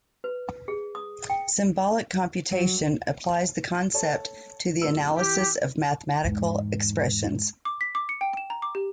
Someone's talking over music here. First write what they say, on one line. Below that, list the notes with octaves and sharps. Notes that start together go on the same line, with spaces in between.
Symbolic computation applies the concept to the analysis of mathematical expressions.
B4
G#4
D#6
G5
F#3
A4 C#5 A5
A#1 F#2 E6
E3 G4
E2 G#2
D6
B6
D6
C#7
G5
E7
A#5
D6
G4